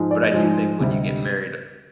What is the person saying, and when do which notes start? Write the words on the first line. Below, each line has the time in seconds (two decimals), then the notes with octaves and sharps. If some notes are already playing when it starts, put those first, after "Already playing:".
but I do think when you get married,
Already playing: G#2 F3 G#3
0.11 D5
0.23 D#5
0.34 G#2 F3 G#3
0.80 D2 C3 G3